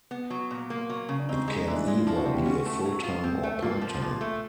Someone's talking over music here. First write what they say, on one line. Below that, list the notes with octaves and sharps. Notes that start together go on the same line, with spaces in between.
It can either be a full-time or part-time.
B3
F#3
A#2
A#3
F#3
C#3
D4
C4 D#4
G#3
D#4
E3 D4
D#4
G#3 D4
F4
E4
F3
F#4
C3
G4
C#4 F#4
A3
F#3
F4
C4
A3
A#3 F4
F3
A#2
A3